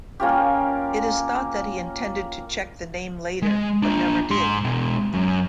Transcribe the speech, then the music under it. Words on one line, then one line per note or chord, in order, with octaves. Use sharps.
It is thought that he intended to check the name later, but never did.
A#3 C#4 F4 G4
G#3
D4 F4
G#2 C6
B2 G#3
F#2